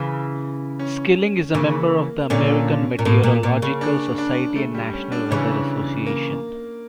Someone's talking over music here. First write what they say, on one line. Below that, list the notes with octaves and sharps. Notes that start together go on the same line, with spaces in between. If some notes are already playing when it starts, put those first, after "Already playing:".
Skilling is a member of the American Meteorological Society and National Weather Association.
Already playing: C#3 E3
C#4
C#3 E3 A#3
A#2 D3 C#4
A#2
A2 A#3
A#2
A#2
C#3
D4
D4
A3
G3
C#4
D4
C#3 E3 C#4
A#3